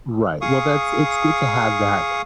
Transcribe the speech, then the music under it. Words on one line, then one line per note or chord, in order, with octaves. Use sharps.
Right, well, that's it's good to have that
G#4 F5 C#6 D#6